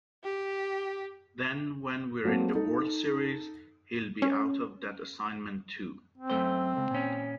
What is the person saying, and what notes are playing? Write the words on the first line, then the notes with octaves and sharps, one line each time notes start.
Then when we're in the World Series, he'll be out of that assignment, too.
G4
F#3 A3 A#3 C4
D#4 A4
C#4
C4
F#2 A3 C5
C#2
A#2 C#4